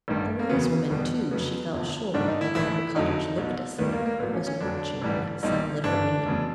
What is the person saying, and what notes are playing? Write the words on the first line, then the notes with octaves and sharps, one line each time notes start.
The wise woman, too, she felt sure, although her cottage looked asleep, was watching her at some little window.
A1 G2 D#3 G3
A#3
E2 C#3 F#3 B3
E1 E2 B2 G3
F2 C#3 F#3 B3
E1 D2 C3 F3
G#1 G#2 D#3 G3 D4
D#4
E4
A#1 A2 E3 E4
F2 D3 F#3 D#4
C2 B2 F#3
D#2 D#3 G3 B3
A#3
A#3
A1 A2 F#3 B3
C#4
C#4
F2 D3 F#3 D4
A1 G#2 E3 G3
B1 A#2 G3 D#4
G1 G2 E3 D4
F1 E2 C#3 F#3